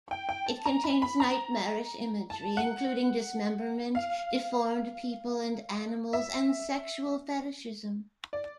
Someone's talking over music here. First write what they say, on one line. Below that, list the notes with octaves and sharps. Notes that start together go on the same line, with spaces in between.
It contains nightmarish imagery, including dismemberment, deformed people and animals, and sexual fetishism.
G5
G5
A5
A#5
B5
B5
A#5
A5
F#5
F5
E5
D5